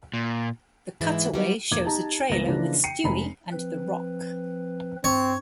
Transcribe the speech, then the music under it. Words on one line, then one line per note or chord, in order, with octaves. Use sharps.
The cutaway shows a trailer with Stewie and the Rock.
A#2
G#2 E3 G#3 E4
F#3 G3 B3
E1 A#3 D6 G#6
D#4 G4 A5 A#5
C#2 G2 G#3 A#3 B3 A#6
C#3 E3 F3 A#3 D4
G5 C7 C#7 D#7
F1 G#3 A#5 B5
F3 C4 B4
G2 C4 C#5